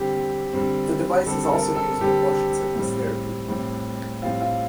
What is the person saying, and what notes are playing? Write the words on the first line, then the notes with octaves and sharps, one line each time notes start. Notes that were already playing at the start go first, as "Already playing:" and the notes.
The device is also used in motion sickness therapy.
Already playing: D3 G3 C4 G4
D3 G3 C4
D3 G3 C4 A4
A4
A#4
A4
D3 G3 C4 G4
A2 G3 C4
A2 G3 C4
A2 G3 C4 F4
F4